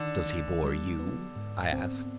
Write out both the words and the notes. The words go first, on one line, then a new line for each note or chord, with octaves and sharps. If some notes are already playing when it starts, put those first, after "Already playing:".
"Does he bore you?" I asked.
Already playing: D3 D#3
D#3
G3
B3
G#2
C4